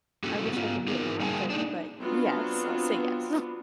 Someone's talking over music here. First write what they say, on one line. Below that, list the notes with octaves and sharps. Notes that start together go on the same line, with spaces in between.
I wish I could do it more often, but yes, I'll say yes.
A#3 C#4 E4 F#4 G4 A4
B3 F4
D#4 G#4 A#4
G3 A#3 G#4 F#5 G#5 A5
D4 D#4
F#3 B3 C4 D4 F4